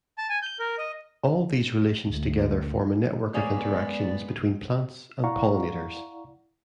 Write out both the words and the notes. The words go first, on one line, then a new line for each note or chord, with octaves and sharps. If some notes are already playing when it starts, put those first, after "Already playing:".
All these relations together form a network of interactions between plants and pollinators.
A5
G#5
G6
A#4
D#5
D2
G#3 A#3 B3 C#4 G#4 D5
E4 D5 F5 F#5 A#5 C#6